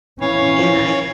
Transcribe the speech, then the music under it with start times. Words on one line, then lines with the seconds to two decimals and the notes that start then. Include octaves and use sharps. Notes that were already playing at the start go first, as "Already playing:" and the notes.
and I
0.21 E3 C#4 C#5 F5 C#6